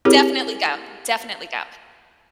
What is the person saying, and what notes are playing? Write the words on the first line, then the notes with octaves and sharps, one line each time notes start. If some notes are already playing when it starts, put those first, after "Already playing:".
Definitely go. Definitely go.
C4 E4 G4 G#4 A#4 C#5